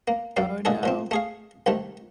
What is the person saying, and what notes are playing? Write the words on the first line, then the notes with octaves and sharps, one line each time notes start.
Oh, no.
A#3
F#2 D5 F5
A#2 D3 G#3 G#4 A4
A#2 F3 C4
A3 G#4 F5
C2 C3 D#3 A3